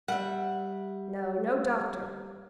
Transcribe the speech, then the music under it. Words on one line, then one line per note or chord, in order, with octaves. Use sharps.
No--no doctor.
G3 E5 F#5